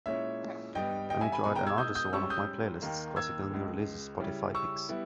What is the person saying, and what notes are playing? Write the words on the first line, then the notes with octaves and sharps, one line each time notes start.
I need to add an artist to one of my playlists, Classical New Releases Spotify Picks.
A#2 G#3 C#4 E4 C#5 E5
G2 G3 B3 D#5 G5
D#5 G5
E5 G#5
G#5 B5
B2 G#3 D#4 G#5 B5
G5 A#5
E6 G#6
D#6 G6
D#6 G6
G#2 G3 C#4 C#6 E6
D#6 G6
D#2 D#3 A#3
E6 G#6
C#2 C#3 G#3
C#3 G3 C#4 E4
C#6 E6
G3 B3 E4